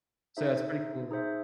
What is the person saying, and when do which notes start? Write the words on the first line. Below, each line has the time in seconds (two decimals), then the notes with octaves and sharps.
So that's pretty cool.
0.37 D#4 G#4 C5 E5
1.11 D#4 G#4 C5 E5